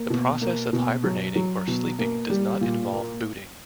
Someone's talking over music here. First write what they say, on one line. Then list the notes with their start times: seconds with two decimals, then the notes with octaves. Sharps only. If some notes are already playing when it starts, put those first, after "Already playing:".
The process of hibernating or sleeping does not involve booting.
Already playing: A#3
0.10 B2
0.42 A#3
0.73 B2
1.04 F#3
1.36 F#3
1.67 B2
1.99 A#3
2.30 G3
2.61 A#2
2.93 A#3